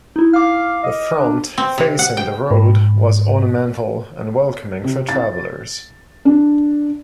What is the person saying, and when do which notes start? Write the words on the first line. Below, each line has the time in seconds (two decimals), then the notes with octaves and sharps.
The front, facing the road was ornamental and welcoming for travelers.
0.16 D#4 E4
0.33 F5 D6 F6
0.83 D#5
1.19 D4
1.58 C4
1.78 C3
1.99 F#5
2.17 G5
2.51 G#2
4.84 C3
5.09 A6
6.25 D4